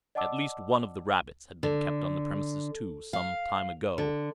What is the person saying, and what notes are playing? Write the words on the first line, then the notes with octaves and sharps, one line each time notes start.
At least one of the rabbits had been kept on the premises, too, some time ago.
D5 D#5 F#5 A5 D6 E6
D3
F5
D3